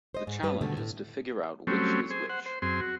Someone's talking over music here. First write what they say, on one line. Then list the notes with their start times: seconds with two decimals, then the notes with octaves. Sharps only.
The challenge is to figure out which is which.
0.14 C5 D#5
0.27 G#2
0.43 G2 G3 B4
0.61 G#2 B2 D3 D#3 G3 A3
0.77 A2
1.67 F#3 G3 A3 C4 C#4
2.10 G#4 C5
2.29 C5 F#5
2.46 C5
2.62 F#2 C4 G#4 C6
2.81 F#4